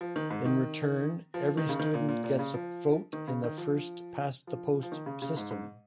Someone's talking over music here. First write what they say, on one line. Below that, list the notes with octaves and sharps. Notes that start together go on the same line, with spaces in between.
In return every student gets a vote in a first past the post system.
F3
D#3
G#2
D#3
F3
D#3
C#3
D#3
A#2
A#2
A#2
C#3
F3
D#3
C#3
D#3
F3
F3
F3
D#3
C#3
C#3
G#2
G#2